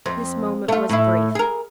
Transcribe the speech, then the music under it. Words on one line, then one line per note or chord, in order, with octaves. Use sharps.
This moment was brief.
F2
A3 F4
A2 E4
G#4 A#4